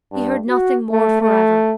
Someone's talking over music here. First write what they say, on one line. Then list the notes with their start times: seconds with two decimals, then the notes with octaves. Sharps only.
He heard nothing more forever.
0.12 G2
0.48 F#4
0.91 A3
1.21 A3